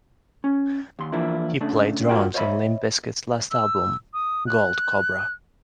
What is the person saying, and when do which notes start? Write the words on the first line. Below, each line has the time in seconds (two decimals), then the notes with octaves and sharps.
He played drums in Limp Bizkit's last album, "Gold Cobra".
0.44 C#4
0.99 D#2 C6
1.12 E3 F3 A#3 D4 E4
1.61 C#3 A3 D4
2.09 F4 F#4 A#4 C#5 F#5 G5
2.34 C5 C#5 D#5 E5 B5
3.51 E6
4.14 D#6
4.47 F#6